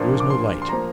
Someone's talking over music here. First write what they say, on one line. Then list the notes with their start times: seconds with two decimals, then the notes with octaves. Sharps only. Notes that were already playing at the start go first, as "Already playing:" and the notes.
There was no light.
Already playing: A#2 F3 A#3 D4
0.20 D6
0.30 C6
0.62 C6
0.69 F3 A#3 A#5